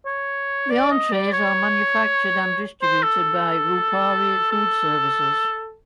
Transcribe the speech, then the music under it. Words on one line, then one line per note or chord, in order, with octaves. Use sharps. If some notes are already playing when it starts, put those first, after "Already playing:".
The entrees are manufactured and distributed by Rupari Food Services.
C#5
D5
D#5
D5
C#5
C5
A4
A4